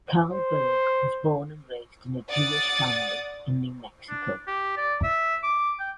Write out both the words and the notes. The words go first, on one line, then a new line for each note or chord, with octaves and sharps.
Carl Berg was born and raised in a Jewish family in New Mexico.
C5
D5 F#5 D#6 A6
D4
G4
D5
E5
D6
G5